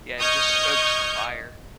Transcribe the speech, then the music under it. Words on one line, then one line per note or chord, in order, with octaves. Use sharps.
Yeah, it just stokes the fire.
D#5 C#6 D#6 F6 G6 G#6